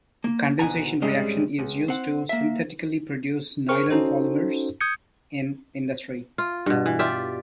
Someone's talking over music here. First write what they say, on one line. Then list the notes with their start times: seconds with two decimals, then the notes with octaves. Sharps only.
The condensation reaction is used to synthetically produce nylon polymers in industry.
0.24 A#3
0.59 D2 B2 F#5 G#5 A#5
1.02 G#2 C3 G3 G#3 C#4
1.59 C#2
1.88 C4 F#5
2.29 A#3 E5
3.69 G#4 A#4 C5 C#6 F6
3.90 C#4 D#4 F#4 A4 C5
4.81 D#6 G6 G#6 C#7
6.38 F4
6.66 G2 B2
6.86 E3
6.99 F4 G4 D5 E5